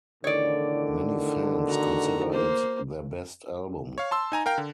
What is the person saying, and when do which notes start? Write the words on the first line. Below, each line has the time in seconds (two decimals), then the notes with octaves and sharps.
Many fans consider it their best album.
0.24 E2 A2 D3 D#3 C#5 D5
1.67 F#4 A#5
2.32 A#3 C5
3.98 C#5 F5
4.11 A5 C6 E6
4.32 D#4 G#5 A#5
4.46 A#4 F5 G5
4.58 D3